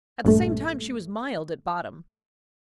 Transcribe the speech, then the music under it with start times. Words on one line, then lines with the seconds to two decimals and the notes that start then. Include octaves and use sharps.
At the same time she was mild at bottom.
0.24 A#1 G2 A3